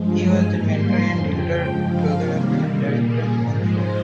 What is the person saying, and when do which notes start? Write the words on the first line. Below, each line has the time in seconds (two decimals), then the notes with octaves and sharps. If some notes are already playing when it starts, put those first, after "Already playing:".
He was the mentor and elder brother of film director John Ford.
Already playing: G2 F3 G#3
0.15 G#5
0.45 G#2 G3 A#3 A#5
0.73 C6
1.02 F2 C#3 F3 G#5
1.31 G5
1.60 G2 F3 G#3 G5
1.89 F5
2.18 C3 D#3 G3 A#3 C#5
2.76 A#2 G3 A#3 G#4
3.05 G#4
3.33 G#2 F3 G#3 A#4
3.62 C5